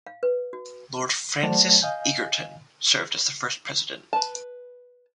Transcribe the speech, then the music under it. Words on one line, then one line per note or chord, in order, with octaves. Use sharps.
Lord Francis Egerton served as the first President.
F5
B4
F#4
F#3 A3 C5 D5 F#5 A5
D#5 F5 G#5 G6
B4 A5